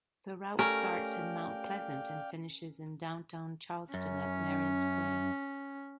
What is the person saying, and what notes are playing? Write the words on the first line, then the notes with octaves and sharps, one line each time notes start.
The route starts in Mount Pleasant and finishes in downtown Charleston at Marion Square.
A3 C#4 G4 A4 A#4 D5 F5 G5
F#2 C#4